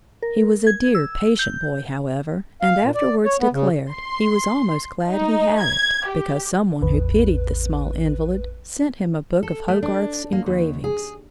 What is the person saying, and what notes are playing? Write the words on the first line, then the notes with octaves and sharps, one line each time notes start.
He was a dear, patient boy, however, and afterwards declared he was almost glad he had it because some one who pitied the small invalid sent him a book of Hogarth's engravings.
A#4
G#6
E6
G6
F5
A#2
D5
C#5
B3
C#3
C6
D#4
G#6
G4
A1 E2 B4
A4
A3
D4
A#3
D#2
G#4